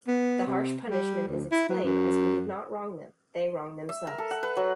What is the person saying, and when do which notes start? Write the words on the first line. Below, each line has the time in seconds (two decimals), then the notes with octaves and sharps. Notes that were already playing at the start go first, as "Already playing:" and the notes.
The harsh punishment is explained as We did not wrong them; they wronged themselves.
0.07 B3
0.47 C3
0.89 G3
1.28 D2
1.51 E4
1.69 F#3
1.84 F#2
3.89 E5
4.07 A#4
4.18 A4
4.31 F#5
4.43 B4
4.57 F#3